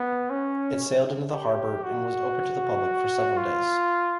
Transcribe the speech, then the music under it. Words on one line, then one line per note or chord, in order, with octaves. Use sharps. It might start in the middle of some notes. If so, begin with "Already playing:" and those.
It sailed into the harbour and was open to the public for several days.
Already playing: B3
C#4
G4
F#4
F4